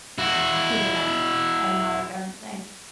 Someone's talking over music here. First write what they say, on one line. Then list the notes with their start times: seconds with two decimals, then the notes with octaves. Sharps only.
He did not know, uh, know a darn thing.
0.18 E4 F#4